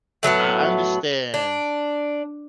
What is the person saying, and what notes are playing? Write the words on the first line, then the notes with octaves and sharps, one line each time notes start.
I understand
A2 F#3 B3 A5
D4